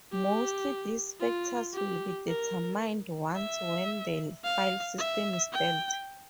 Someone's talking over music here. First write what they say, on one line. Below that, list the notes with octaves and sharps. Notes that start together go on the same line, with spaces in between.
Mostly these factors will be determined once when the file system is built.
G4
F4
G4
A#4
E5
F5
E5
G5